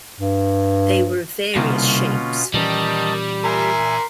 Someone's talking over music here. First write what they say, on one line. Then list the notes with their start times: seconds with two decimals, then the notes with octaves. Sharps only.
They were of various shapes.
0.20 G2
1.56 C2 B2 D3 A#3 C4 C#4 F4
2.54 A#2 D#3 E3 G3 C#4 D#5 A5
3.44 A#4 E5 G#5 A#5 C6